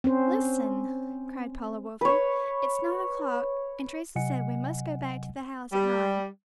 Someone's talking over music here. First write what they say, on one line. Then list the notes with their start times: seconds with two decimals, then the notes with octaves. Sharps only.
"Listen," cried Paula, woefully, "it's nine o'clock, and Teresa said we must go back to the house at nine."
0.04 C4 C#4 C5
2.01 B4 C#5
4.16 C3 F#3 D#5 F#5 G#5 C#7
5.72 G3